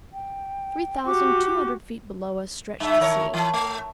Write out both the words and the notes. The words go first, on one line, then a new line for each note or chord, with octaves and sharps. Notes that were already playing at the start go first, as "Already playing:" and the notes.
Three thousand two hundred feet below us stretched the sea.
G5
F#4 G4 D6
G2 E5
D#3 A#4 C#5
E3
A3